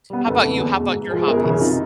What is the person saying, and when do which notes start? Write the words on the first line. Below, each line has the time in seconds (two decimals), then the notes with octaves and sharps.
How 'bout you? How 'bout your hobbies?
0.10 G3 B3
0.26 F#1 A4 B4
0.43 F2 D3
0.60 E2
0.77 B2 G#3
0.94 G#2
1.11 F3 G#3
1.27 G1 G#4 A#4
1.44 F#2 C#3 E3
1.61 C3 D#4 F4